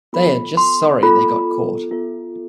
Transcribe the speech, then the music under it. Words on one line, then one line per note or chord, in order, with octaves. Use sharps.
They are just sorry they got caught.
B3 F4 A4 B5
C6
B3 F4 A4 B5
B3 F4 A4